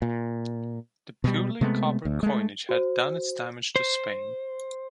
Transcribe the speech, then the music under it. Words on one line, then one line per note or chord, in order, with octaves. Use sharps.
The purely copper coinage had done its damage to Spain.
A#2
B2 G3
C3 G#3 A3 B3
D2
G#3 A3
F#4 C5
C5